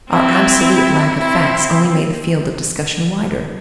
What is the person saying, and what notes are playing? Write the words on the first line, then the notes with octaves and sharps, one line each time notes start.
Our absolute lack of facts only made the field of discussion wider.
C4 E4
C4 E4